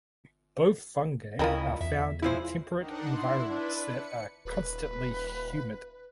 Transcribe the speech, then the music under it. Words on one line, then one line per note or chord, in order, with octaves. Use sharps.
Both fungi are found in temperate environments that are constantly humid.
D2 C#3 E4 F4 A#4 D#5 G5
E2 E5
F3 G#3 E4 F4 C5
D#3 D4 D#4 F#5
E4 C6
D4 B4
C#7
D#1 B4